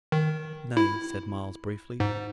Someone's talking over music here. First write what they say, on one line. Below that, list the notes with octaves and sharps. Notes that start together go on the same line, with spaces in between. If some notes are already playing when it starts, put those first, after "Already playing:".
"Nay," said Myles, briefly.
D#3
E4
G#2